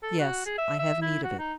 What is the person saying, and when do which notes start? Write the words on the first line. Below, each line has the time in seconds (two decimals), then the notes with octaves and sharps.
"Yes, I have need of it."
0.03 A4
0.19 F#4
0.45 G#4
0.58 E5
0.79 E5
1.02 E4
1.24 F#4
1.39 D#4